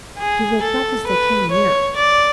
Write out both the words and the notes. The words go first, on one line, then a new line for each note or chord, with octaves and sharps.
He looked up as they came near.
G#4
A4
B4
C#5
D5